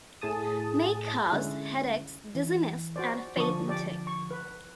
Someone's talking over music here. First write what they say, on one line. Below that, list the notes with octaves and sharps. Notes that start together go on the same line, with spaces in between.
May cause headaches, dizziness and fainting.
A2 G#4 A5 D#6
D3 G#3 C#4 E4 F#6
E3
F#4 C5 D5
D3 F3 D4 C#6 D#6
G4 D5
C#6
B4